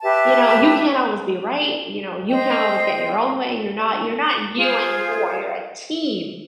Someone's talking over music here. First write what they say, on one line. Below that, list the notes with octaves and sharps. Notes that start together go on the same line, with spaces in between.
You know, you can't always be right, you know, you can't always get your own way, you're not you're not you anymore, you're a team,
G4 B4 E5 A5
C5 D#5 G5
F4 G#4 C5 F5